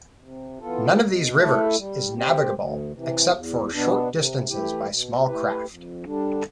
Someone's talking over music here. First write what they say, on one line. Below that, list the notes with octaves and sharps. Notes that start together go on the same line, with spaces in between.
None of these rivers is navigable except for short distances by small craft.
C3
E3 B3 F4 A4
B2
A3 E4 A4 E5
G3
C4 G4
D2
C3 E3
E2
B2 B3 D4
C3
E3 A3 E4 G4
B2
A3 E4 G4 B4
F2
D3 G3 D4